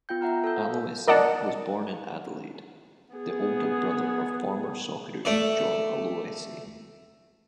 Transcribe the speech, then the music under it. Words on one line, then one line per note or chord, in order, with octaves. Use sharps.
Aloisi was born in Adelaide, the older brother of former Socceroo John Aloisi.
B3 F4 G5 G6
E5 F#5 A#5 F6
A4 E6 G6
F5
A#4 D5 D#5 F#5 A5
B3 G#4
A3 D5